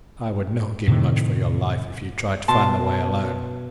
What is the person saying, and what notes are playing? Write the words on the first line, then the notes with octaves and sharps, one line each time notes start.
I would not give much for your life if you tried to find the way alone.
A2 C3 D#3
B2 A5 C6